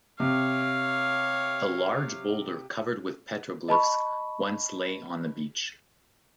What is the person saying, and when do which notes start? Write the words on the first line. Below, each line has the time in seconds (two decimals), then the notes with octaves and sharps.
A large boulder covered with petroglyphs once lay on the beach.
0.20 C3 C#5 F5
3.68 D#5 A5 B5 C#6